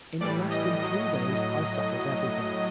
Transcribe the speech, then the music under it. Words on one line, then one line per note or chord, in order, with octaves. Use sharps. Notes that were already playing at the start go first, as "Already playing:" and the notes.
In less than three days I settled everything.
A2 E3 G3 D5
D#5
A2 F#3 D#5